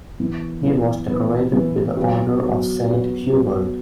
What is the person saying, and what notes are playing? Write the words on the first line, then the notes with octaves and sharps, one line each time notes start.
He was decorated with the Order of Saint Hubert.
E3 B3 E4
E3 B3 E4
E3 B3 E4
E3 B3 E4
F#3 B3 F#4
F#3 B3 F#4
F#3 B3 F#4
F#3 B3 F#4